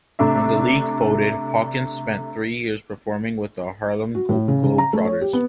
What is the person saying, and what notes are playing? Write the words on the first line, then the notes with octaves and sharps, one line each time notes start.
When that league folded, Hawkins spent three years performing with the Harlem Globetrotters.
C3 A3 D4 E5
F#4
A2
C#3
C#3
A#5
A3
C#5
G4
B3